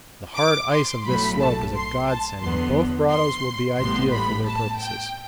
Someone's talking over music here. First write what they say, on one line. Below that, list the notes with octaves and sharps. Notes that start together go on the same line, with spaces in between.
The hard ice of this slope is a godsend and both grottoes will be ideal for their purposes.
D6
C6
B1 A2 F#3 A3 B5
A5
C6
A5
E2 D3 F#3 B3 C6
C6
A1 A2 G3 B3 C6
B5
A5
G5